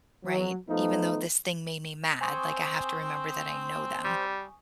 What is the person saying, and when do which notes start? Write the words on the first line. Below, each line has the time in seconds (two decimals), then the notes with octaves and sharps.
right? Even though this thing made me mad, like, I have to remember that I know them.“
0.25 F#3
0.69 F3 A3 B3 D#4
2.21 C4 C5 G#5 C#6 D#6
4.04 G3